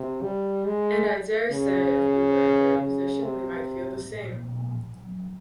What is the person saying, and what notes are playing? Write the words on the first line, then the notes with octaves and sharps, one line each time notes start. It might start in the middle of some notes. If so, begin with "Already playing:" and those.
And I daresay if we were in their position we might feel the same!
Already playing: C3
G3
G#3
C#3
C#3
C3